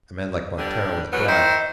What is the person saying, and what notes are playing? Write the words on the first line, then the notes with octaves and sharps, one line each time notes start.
A man like Montero is bribed.
G2 D3 G3
E2 F#3 B3
D#3 E4 C5 D#5